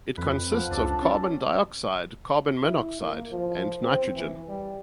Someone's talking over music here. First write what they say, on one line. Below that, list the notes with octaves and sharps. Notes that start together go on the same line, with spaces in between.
It consists of carbon dioxide, carbon monoxide and nitrogen.
F2 B4
F3 F#5
C#2 D4 A4 D6
C#4 A4
E4
A#3
F3
C4
E3
G3